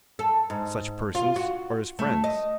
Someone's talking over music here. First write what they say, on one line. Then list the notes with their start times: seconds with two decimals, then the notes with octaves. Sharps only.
Such persons are his friends.
0.19 A4
0.50 G#2
1.15 F4
1.36 F#4
1.99 A3
2.24 D#5